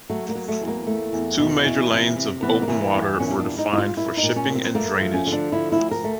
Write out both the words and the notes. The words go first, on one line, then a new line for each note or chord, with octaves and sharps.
Two major lanes of open water were defined for shipping and drainage.
F#3 A3
A#3
F#3
A3
E2
A#3
A3
E2
B2
E3
C3
C3
E3 B3
A#3
E3
A#3
E2
B3
A#2 C#4
D4
G3
D#4
G3 E4
F4
A#2 E4
D#4
A#2
C#4
A#2
C4
A3 A#3
F3
C#4
D3
D4
F3 E4
E4
D2
A#4
A3